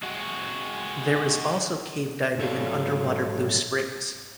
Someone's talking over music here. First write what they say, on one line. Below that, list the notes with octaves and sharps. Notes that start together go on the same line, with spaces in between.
There is also cave diving in underwater Blue Springs.
G#3 F#4
G#2 F#3 A4 C#5 D5 F5